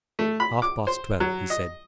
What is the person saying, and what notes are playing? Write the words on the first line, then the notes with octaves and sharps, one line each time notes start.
"Half-past twelve," he said.
A3
B5
D6
C5
F#3
D#5